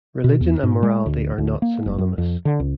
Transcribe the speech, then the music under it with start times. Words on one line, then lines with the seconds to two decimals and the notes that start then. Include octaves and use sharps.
Religion and morality are not synonymous.
0.24 B2
0.41 E2
0.63 G#2
0.83 G#3
1.06 D2
1.38 D2
1.62 A#3
1.86 F#1
1.98 F#2
2.18 F2
2.45 D3
2.60 C#2